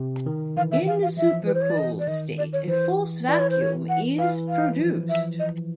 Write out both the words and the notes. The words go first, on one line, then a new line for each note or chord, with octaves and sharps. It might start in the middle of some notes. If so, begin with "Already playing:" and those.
In the supercooled state, a false vacuum is produced.
Already playing: C3
D#3
E3 F5
E5
F5
F5
F3 E5
F3
E3 B4
C5
C#5
D5
D#5
D5
D#3 D#5
D5
C#5
E3 C5
E3 D5
C#5
C5
C#5
F#5
E3 F5
F5
F3
E5
D#5